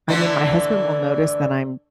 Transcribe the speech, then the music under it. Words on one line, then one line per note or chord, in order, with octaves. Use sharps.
I mean, my husband will notice that I'm
D3 E3 A3